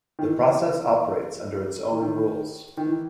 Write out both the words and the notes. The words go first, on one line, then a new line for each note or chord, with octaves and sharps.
The process operates under its own rules.
D#3
E3
E3
D#3
D#3
E3